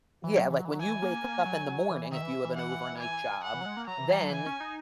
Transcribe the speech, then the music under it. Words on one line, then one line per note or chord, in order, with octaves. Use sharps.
Yeah, like, when you wake up in the morning, if you have an overnight job, then
E3
F#3
E3
F#3
E3
F#3
E3 G#5
A#3
A#3
F#3
F#3
E3
D#3 E5
E3
E3
F#5
G#5
F#5
E3
F#3
G#3
A#3
F#3 A#5
E3
E3
F#3
E3 G#5
C#4
D#4